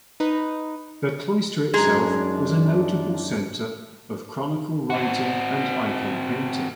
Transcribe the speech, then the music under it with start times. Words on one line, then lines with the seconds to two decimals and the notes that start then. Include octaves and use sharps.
The cloister itself was a notable centre of chronicle-writing and icon painting.
0.20 D#4 B4
1.74 F#2 G#3 D4 D#4 G#4 A#5
4.90 C4 F#4